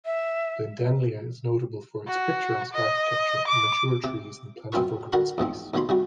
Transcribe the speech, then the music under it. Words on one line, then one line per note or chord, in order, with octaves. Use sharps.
Lindenlea is notable for its picturesque architecture, mature trees, and plentiful green space.
E5
F#4
D#5
D6
C3
F#2 C4 C#4 F4 B4 C#6
D3 F#4 A#4 F#5 B5 C#6
E2 G#2 F3 C4
D#2 B2 F3 C#5 B5 C6
C3 G3 F#4